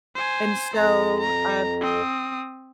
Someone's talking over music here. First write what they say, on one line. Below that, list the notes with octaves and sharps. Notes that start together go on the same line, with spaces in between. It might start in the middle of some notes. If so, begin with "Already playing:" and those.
And so, um
C5 G#5
F2 A#5
A#5
C4 D#6